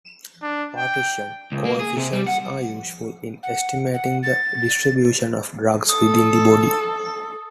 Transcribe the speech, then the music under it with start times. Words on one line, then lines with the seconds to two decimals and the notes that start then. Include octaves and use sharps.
Partition coefficients are useful in estimating the distribution of drugs within the body.
0.42 D4
0.76 G5
1.52 C#2
1.65 A#3
1.79 G#4
1.97 C3
2.12 G3
2.26 F#5
3.43 F#5
3.94 F#5
4.23 A6
5.89 A4 D#6